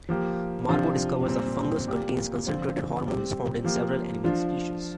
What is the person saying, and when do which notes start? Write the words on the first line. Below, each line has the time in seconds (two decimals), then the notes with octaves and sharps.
Margo discovers the fungus contains concentrated hormones found in several animal species.
0.09 F3 A#3 G4
0.68 C3 F3 D4 F4
1.28 A#2 G3 C4
1.87 A#2 A#3 G4
2.47 D3 F3 C4 F4
3.06 G3 C4 G4
3.64 F3 A#3 G4
4.24 F3 D4 F4